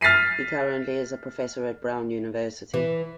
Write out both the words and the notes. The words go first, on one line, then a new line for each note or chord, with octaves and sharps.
He currently is a professor at Brown University.
F6 A6 B6 C7 D#7
E3